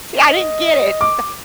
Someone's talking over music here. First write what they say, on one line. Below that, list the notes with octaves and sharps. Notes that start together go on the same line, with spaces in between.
See, I didn't get it, so
D#5
D6